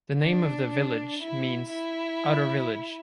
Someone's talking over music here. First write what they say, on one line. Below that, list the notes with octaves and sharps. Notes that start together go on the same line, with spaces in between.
The name of the village means "outer village".
D4
E4
E4